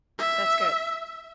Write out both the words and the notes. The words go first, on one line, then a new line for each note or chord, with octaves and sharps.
That's good.
E5